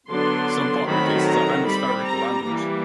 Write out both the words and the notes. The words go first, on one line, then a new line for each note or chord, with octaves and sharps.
Some pottery pieces have hemispherical handles.
D3 F#3 B3 D4 C6
D#3 F#3 A3 C4 B5
A#5
G3 C4 B5
A#5
E3 G3 A#3